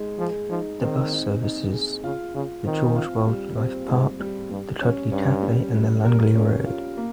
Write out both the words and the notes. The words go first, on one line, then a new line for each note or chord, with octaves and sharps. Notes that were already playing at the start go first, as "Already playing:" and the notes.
The Bus services the Gorge Wildlife Park, the Cudlee Cafe and Langley Road.
Already playing: G#3 D#4
F3 G#4
F3 D#4
D#3 C4
D#4
D#4
G#4
C#3 F4
C#3 F4
D#3 C4
F4
G3
C4
G#2 G3
G3
G2 G3
F2 C#4
G2 C#4
G3
G3
A#4
A#2 C#4
F4
A#3